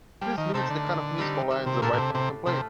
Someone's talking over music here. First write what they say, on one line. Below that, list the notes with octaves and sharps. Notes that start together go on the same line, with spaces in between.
This limits the kind of musical lines the right hand can play.
F3 G3
D#3
C3 A3 D#4 A4
D3
A#2
G3 C4 D#4 G4
D#3
C3
A#2 A3 D4 A4
A#2
C3
A2 C3
C3 F3 A3